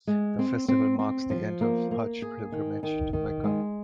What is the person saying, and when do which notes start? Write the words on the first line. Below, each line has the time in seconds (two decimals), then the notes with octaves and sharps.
The festival marks the end of the Hajj pilgrimage to Mecca.
0.07 G#3
0.39 C4
0.68 C4
0.99 C4
1.30 F3
1.61 A#3
1.91 A#3
2.22 G#4
2.52 D#3
2.83 D#3
3.13 D#3
3.44 G#3